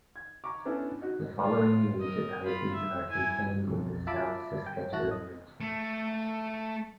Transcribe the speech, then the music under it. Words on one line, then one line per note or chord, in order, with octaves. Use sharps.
The following municipalities are contained in the South Saskatchewan Region.
G#6
A#5 C#6 D6
B3 C#4 D4 E4 A4
D#4 F#4
F4
A#4 D#5
F4 B5
E5
E4 G#5
B1 F2
F4 E5 A5 B5 D6
G5
A1 E4 F#4 A5 F#6 A#6
D#5
A3